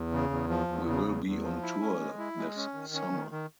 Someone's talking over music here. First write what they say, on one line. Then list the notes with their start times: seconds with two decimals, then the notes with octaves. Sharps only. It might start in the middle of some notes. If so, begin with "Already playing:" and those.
We will be on tour this summer.
Already playing: E2
0.12 C#3
0.30 E2
0.49 F3
0.68 E2
0.86 C#3
1.06 E2
1.25 E2
1.43 F3
1.62 E4
1.81 C#4
1.99 G#3
2.18 E4
2.37 G#3
2.56 C#4
2.74 D#3
2.94 C#4
3.12 D#3
3.31 D#3